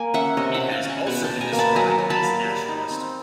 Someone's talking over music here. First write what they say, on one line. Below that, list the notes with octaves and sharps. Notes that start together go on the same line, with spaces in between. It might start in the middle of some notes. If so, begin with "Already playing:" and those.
It has also been described as nationalist.
Already playing: A#3 G#5
C#4 E5 F#5
C3 C#5 D#5
E5 F#5
C#4
F5 G5
C#4
F#5 G#5
B2 F#5 G#5
G5 A5
B2
G#5 A#5
A#3
A5 B5
F#3 G#5 A#5
F#3
A5 B5
A#3
G3
D#4
C4